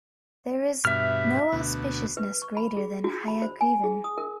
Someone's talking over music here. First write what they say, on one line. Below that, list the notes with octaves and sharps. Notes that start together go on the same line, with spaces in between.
There is no auspiciousness greater than Hayagrivan.
G2 B2 E5 F6
D2 B2
B4
C#6
B5
G#4
F#4
B5
C5
G#5
G#4
D#6
A#4